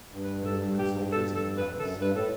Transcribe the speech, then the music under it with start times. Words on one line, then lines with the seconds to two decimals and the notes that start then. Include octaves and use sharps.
"Are the women soldiers in the Palace?"
0.12 G2
0.23 B4
0.45 A4
0.79 G4
1.12 A4
1.35 A4
1.58 B4
1.79 F#2 A4
1.96 G2
2.02 B4
2.13 A2 A4